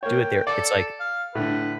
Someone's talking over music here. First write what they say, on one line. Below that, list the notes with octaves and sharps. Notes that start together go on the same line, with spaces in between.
do it there, it's like,
A#3 C#5 G5
A4 D5
F5
A2 D3 B4